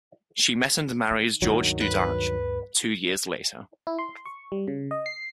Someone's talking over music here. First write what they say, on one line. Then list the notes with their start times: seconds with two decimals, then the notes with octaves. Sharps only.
She met and married George Dudach two years later.
1.11 D#3
1.42 D2 G2 D#3 F#3
1.80 B4
3.87 E4
3.99 C6
4.26 C#6
4.52 G3
4.68 C#3
4.91 D#5
5.06 C7